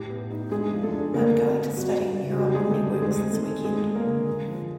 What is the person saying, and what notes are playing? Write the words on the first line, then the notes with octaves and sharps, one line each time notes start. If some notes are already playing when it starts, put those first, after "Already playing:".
I'm going to study Neural Networks this weekend.
Already playing: A2 G4
B3
D#4
G#3 D4 G#4
F3
A3 A4
D4
D3 A#3 A#4
A#3
A#3
G3 F#4
G3
C#3
F#4
G3 G4
G4
G#3 G#4
D3
A3 A4
G3
G4
D#3 G#3 G#4
C4
A3 A4
D#3
G#3 B3 G#4
B3
A#3 A#4
D3
G#3
F3